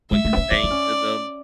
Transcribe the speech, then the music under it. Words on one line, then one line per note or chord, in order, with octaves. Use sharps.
what you're saying to them.
G#3 E5
A3
B3
C#4
B3 D5
D4
C#4